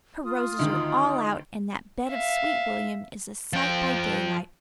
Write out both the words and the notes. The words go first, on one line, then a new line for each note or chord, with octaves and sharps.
"Her roses are all out and that bed of Sweet William is a sight by daylight."
F4 D#6
D2 D3 D#3 D#4
E5 F5
F3 G5